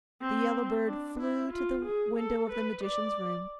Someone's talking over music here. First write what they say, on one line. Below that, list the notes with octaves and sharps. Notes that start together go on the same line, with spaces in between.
The yellow bird flew to the window of the magician's room.
C4
D4
E4
F4
G#4
A4
B4
D5